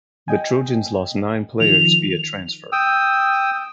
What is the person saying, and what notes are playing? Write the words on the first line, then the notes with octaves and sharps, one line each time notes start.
The Trojans lost nine players via transfer.
D#5 G5 G#5
D#3 F3 F7
G5 D#6 E6